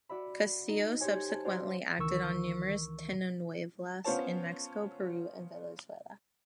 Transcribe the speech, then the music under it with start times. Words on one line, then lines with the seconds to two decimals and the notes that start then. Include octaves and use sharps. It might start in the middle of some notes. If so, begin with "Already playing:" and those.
Castillo subsequently acted on numerous telenovelas in Mexico, Peru and Venezuela.
0.09 F#4 D5 E5 B5
0.69 D#4
1.01 G4 A4 C5 C#5 G#5
1.28 G#5 A5
1.44 D4 F#4 C5 D5 F5 G5
1.99 C#2 D#3 E3 A#4 C#6 E6
4.05 B3 C#4 F4 C5 C#5 A5